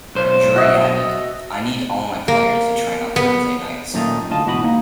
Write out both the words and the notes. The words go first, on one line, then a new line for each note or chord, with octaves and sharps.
Drury added "I need all my players to train on thursday nights".
B1 C5
F#4 D#5 E5
A#3
B3
F#2 A#2 D#3 A3 A#3 D#4
D2 A2 F4 D#5 A5
G#2 B2 E3 F#4 D#5 B5
A#3 D#4